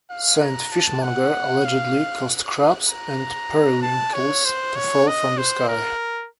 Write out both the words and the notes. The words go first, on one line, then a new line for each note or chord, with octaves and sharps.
Saint Fishmonger allegedly caused crabs and periwinkles to fall from the sky.
F5
A#5
A5
F#5
F5
A#5
A5
C#5
C5
C#5
D#5
C5
A#4